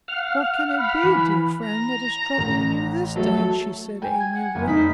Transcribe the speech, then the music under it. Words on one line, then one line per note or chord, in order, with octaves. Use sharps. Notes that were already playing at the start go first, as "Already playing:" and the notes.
"What can it be, dear friend, that is troubling you this day?" she said amiably.
F5 F#5 F6
B5
E3
A#5
A1
F#3 A3 A4
G5 G#5
G#6
F#5
F#1 G#5
F1 D#4 B6